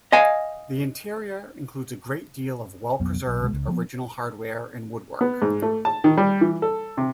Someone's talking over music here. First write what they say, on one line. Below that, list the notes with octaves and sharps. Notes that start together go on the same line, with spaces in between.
The interior includes a great deal of well-preserved original hardware and woodwork.
D#5 F5 G#5
B1 F2 F#3 B3
B1
C2 B2 D#3 G#3
C#2
F3 F#3 B3
B3
G#2
A3
A5
D#3
G3
E3
A4
C3